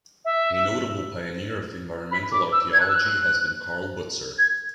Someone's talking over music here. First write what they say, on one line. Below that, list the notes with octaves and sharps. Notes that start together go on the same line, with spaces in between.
A notable pioneer of environmental archaeology has been Karl Butzer.
E5
B5
D6
E6
G#6
F#6
E6
F#6
G#6